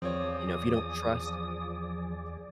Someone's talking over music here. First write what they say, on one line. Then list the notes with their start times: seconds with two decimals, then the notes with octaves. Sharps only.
you know, if you don't trust,
0.02 E2 F3 C4 F4 G#4 C#5 D5 D#6